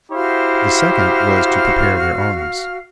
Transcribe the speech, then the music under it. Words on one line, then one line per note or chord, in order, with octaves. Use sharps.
The second was to prepare their arms.
E4 F#4 G4 C5 F5 F6